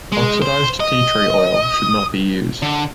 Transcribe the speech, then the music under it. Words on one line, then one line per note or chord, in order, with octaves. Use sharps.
Oxidized tea tree oil should not be used.
G#3
C5
D#5
D3